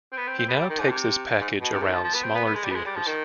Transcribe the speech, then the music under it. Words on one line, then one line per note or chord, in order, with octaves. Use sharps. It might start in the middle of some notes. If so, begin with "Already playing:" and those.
He now takes this package around smaller theatres.
C4
B3
C4
C4
B3
G3
D#3
G#2
C3
G#2
B2
C3
D#3
F3
F3
B3
C4
B3
B3
G#3
G3
B3
G#3
G3
F3
D#3